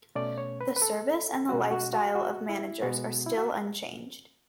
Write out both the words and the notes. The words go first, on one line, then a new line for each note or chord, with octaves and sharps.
The service and the lifestyle of managers are still unchanged.
B2 A3 C#4 D5
C#5
B4
B4
A4
B2 G#3 C#4 F#4
F#4
F#4
F#4
E4
B2 G#3 B3 F#4
E4
F#4